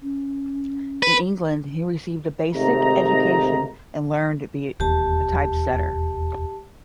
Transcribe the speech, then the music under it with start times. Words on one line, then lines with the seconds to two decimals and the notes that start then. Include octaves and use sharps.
In England, he received a basic education and learned to be a typesetter.
0.01 C#4
1.03 B4
2.54 G#1 C3 A3 D#4 A#5
4.80 E1 D#2 G4 A5